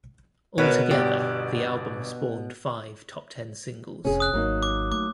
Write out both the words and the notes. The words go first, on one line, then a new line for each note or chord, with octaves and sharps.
Altogether the album spawned five top-ten singles.
B2 A#4 B4 C#5
G1 G4 D5
F1 C3 C#4 G#4
D#6 F#6
G#1 F#3 A#3 D#4
D6
A3 D6